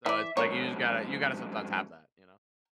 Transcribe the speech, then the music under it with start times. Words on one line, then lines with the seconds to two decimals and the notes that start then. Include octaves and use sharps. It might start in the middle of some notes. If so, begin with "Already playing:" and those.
So, it's like you just gotta you gotta sometimes have that, you know?
0.06 E3 D5 E5
0.37 F2 G#2 A#4 C#5